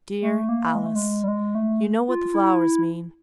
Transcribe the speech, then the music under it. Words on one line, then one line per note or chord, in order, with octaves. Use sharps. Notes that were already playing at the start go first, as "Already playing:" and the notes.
DEAR ALICE, You know what the flowers mean.
A3
A#3
G#3
A3
G#3
G3
G#3
A3
F4
E4